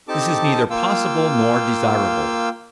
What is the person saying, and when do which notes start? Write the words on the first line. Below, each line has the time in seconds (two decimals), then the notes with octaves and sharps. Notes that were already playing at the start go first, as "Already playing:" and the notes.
This is neither possible nor desirable.
0.08 C4 D#4 G4 A4 A5 D6
0.70 A#3 F4 F5 G5 E6